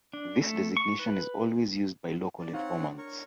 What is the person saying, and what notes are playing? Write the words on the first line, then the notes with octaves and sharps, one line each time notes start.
This designation is always used by local informants.
D4
A3
C#6
B4
D5
C4 D#4 C#5 F5 F#5
D4
A#4 C#5 C#6